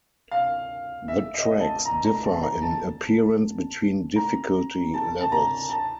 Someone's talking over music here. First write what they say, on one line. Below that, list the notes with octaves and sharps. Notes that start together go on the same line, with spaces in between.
The tracks differ in appearance between difficulty levels.
F5
E5
D#5
A5
A#5
A#5
A5
A#5
A5
A#5
A5
A5
A#5
A5